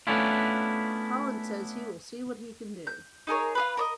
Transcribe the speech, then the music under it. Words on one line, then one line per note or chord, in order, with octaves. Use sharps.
Holland says he will see what he can do.
A3 B3 C#4 D4 E4 F4
G6
D#4 G#4 A#4 C#5
F4 G#4 B4
A#4 C#5 D#5